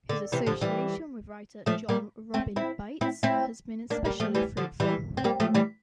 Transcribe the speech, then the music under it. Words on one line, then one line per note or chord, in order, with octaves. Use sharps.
His association with writer Jon Robin Baitz has been especially fruitful.
D3
C3 E3
D3 F3
E3 G3
F3 A3
G3 A#3
A3 C4
C4 E4
C4 E4
C4 E4
A#3 D4
G3 A#3
F3 A3
E3 G3
D3 F3
E3 G3
C4
G3 A#3
F3 A3
E3 G3